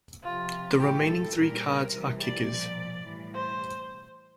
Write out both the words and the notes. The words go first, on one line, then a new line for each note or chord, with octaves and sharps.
The remaining three cards are kickers.
C3 F3 F4
A2 E3 G3 G4
A4
A#2 G3 A#4
C3 E3 G3
D5
A#2 F3
A2 E3 G3
C5